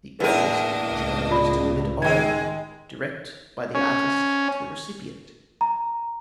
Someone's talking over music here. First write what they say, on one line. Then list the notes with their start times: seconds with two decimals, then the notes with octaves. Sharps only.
The earliest literature was delivered orally direct by the artist to the recipient.
0.20 A1 E2 A#3 D4 A#4 B4 D#5 D#7
0.90 C#2 A2
1.31 F4 D5 B5
2.02 D#3 G#3 G5 G#6
3.75 C#4
5.61 A#5